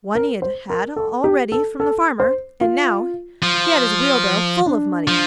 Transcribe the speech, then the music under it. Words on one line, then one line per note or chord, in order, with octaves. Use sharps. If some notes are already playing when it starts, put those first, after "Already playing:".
One he had had already from the farmer, and now he had his wheelbarrow full of money.
A#4
C5
A#4
A4
G4
A4
A4
C5
F4
F3
D4
F3